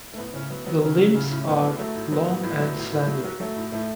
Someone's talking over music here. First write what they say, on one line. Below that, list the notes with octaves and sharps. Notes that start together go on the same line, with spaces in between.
The limbs are long and slender.
A3
A2 B3
A2 C#3 C#4
F#3 B3
F#3 B3
C#3 F#3 C#4
F#3
A2 C#3 C#4
A2
A2 B3
F#3
F#3 A3
A2
F#3 B3
A2
A2
F#3
A2
A2
F#3
F#3
F#3 A3
A2
A2 A3